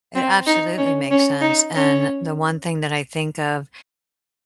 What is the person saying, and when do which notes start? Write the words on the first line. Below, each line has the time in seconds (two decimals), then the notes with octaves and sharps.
It absolutely makes sense, and the one thing that I think of
0.15 C4
0.47 D#4
0.78 C#4
1.11 C#4
1.42 D#4
1.74 C#4